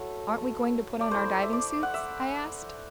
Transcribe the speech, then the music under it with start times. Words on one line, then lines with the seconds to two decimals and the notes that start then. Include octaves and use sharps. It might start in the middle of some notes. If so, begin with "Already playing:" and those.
"Aren't we going to put on our diving suits?" I asked.
Already playing: F#3 A3 E4 A4
1.01 D5
1.11 A3 E4 C5
1.42 E5
1.53 D5
1.83 F#5
1.94 E5